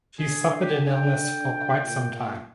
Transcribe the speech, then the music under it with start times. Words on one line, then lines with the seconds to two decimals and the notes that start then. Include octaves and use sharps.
She suffered an illness for quite some time.
0.19 D3 G#4
0.61 G4
0.90 G5
1.84 A#2